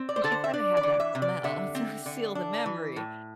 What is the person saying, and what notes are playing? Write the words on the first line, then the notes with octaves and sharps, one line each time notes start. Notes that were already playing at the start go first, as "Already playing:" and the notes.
'Cause you gotta have that smell to seal the memory.
Already playing: C4
D5
C5
D3 A4
C5
E5
D4 D5
D5
E3
E5
C3
D5
D3 E5
C4
D3
D4
E3
A2